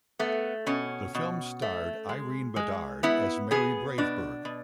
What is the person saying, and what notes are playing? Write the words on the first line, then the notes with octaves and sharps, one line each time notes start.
The film starred Irene Bedard as Mary Brave Bird.
A3 B3
B2 C#4
B2
A3
G#3
G#3
B3 E4
B3 G#4
B2 D4
B2